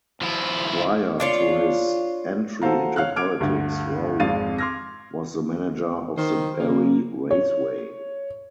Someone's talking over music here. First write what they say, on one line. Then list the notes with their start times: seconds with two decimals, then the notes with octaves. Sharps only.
Prior to his entry into politics, Rowe was the manager of the Barrie Raceway.
0.22 F3 E4
1.20 D4 F4 C#5
2.62 F#4 A4 C5 F5 A#5
2.96 C#5 F5 F6 F#6
3.16 D6 F6 G#6 D7
3.40 D2 G2 D3
4.20 G#1 F2 G#3 F5 A6 D#7
4.58 C6 D6 F6 G#6 A#6
6.18 D#3 C5
6.60 C#3 A#3
7.31 C#5